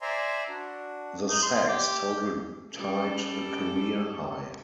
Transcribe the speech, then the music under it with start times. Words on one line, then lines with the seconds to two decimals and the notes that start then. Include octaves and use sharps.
The sacks total tied a career-high.
0.01 C5 D5 E5 G#5 A#5 C6
0.49 D4 F#4
1.30 D#4
1.42 C6
1.68 G4
2.74 G3 C#4 A4